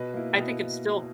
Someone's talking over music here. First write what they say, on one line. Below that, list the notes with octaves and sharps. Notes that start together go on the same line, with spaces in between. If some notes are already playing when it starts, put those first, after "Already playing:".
I think it's still
Already playing: B2 B4 D#5
A#3 E4
B2 B4 D#5